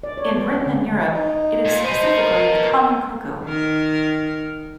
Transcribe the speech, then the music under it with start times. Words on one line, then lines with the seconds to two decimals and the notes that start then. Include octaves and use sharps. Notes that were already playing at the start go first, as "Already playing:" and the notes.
In Britain and Europe, it is specifically the common cuckoo.
0.03 D5
0.17 C#5
0.31 B3
0.53 C#4
0.66 D3
1.15 D#4
1.65 A#2
1.84 B4 C5 D#5
2.18 A#4
3.44 D#3 A#4